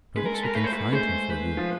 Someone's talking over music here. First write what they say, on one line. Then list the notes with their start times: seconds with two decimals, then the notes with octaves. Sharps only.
Perhaps we can find him for you.
0.16 G#3 B4
0.25 A#4
0.34 A4
0.43 A#4
0.54 A3 B4
0.64 C5
0.73 B4
0.92 G#3 C5
1.30 B4
1.57 F3